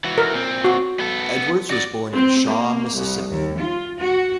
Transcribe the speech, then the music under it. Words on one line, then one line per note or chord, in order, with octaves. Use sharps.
Edwards was born in Shaw, Mississippi.
E3 F#4
A#4
A#2 C4
F#4
B3 A4
F#4 D5
C4
A#3
C2
D#2
F4
F#4